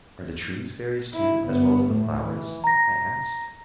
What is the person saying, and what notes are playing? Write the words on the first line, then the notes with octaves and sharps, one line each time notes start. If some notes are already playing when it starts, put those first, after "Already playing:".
"Are the trees fairies too, as well as the flowers?" I asked.
E4
G1 B3
A2 A3
E3
A#5 A#6